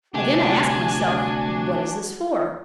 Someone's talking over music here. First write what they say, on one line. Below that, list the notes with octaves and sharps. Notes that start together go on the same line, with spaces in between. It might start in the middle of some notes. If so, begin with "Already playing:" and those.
Again I ask myself, What is this for?
D2 C3 D4 F#4 G4 G#5